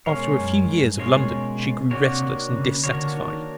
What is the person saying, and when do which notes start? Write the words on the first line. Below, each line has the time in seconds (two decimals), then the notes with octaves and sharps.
After a few years of London she grew restless and dissatisfied.
0.06 B2 G#3 C#4 F4 A#4 C#5
0.37 F#2
0.68 G2
0.98 B2 G#3 C#4 F4 A#4 C#5
1.91 C3 A#3 D4 F#4 A#4 C#5
2.23 C3
2.53 C#3
2.84 D3 A#3 D4 F#4 A#4 C#5
3.15 D#3